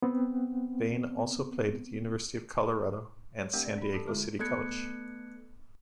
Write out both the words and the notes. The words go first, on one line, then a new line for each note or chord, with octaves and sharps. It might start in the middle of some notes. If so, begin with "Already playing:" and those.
Bain also played at University of Colorado and San Diego City College.
B3 C4
C#5
A3 C4 D4 G4 A#4 G5
D5
D4 B5
G4 A4 A5
D3 G#3 E4 F#4
A3 B3 A4 F#6 G#6 C#7